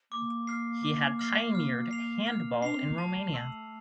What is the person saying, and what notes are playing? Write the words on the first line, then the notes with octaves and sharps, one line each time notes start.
He had pioneered handball in Romania.
A#3 D6
F6 C7
D6
F6 C7
F6
C7 F7
F6
D4 C7 F7
C4
A#3
A3 A5
C6 E6